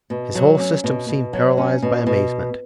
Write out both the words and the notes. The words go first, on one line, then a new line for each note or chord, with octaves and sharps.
His whole system seemed paralyzed by amazement.
B2
F#3
C#4
B2
B2
F#3
C#4
B2
B2